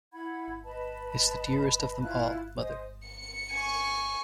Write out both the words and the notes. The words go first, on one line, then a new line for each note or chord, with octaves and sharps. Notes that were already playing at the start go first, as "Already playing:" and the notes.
It's the dearest of them all, Mother.
E4 F#5 B5 G#6
B4 D#5 A5 B5
E4 F4 F#6
C5 D#5 G#5 D#6
C#7
G#5 C#6